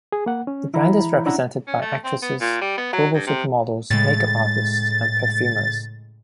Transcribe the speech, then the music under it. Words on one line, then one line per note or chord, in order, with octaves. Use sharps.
The brand is represented by actresses, global supermodels, makeup artists and perfumers.
G#4
A#3 F#5
C#4
E3 E4 A#5 B5
C#4 D4 E4 E5 F#5 A#5
C#4
A3
C4
B3
A#2
G3
B3
F#3
G2
C3
A2 C#3 G#3 A6